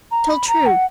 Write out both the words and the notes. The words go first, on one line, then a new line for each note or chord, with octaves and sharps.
Tell true.'
A#5
B5
A#5
F#5